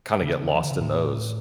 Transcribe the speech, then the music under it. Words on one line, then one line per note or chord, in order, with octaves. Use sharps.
kinda get lost in those.
C#3
E3
D3
C#3
A2